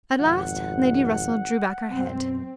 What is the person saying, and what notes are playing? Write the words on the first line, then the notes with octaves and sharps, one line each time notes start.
At last, Lady Russell drew back her head.
G#1 F2 B2 F3 F#5
F#2 B2 C4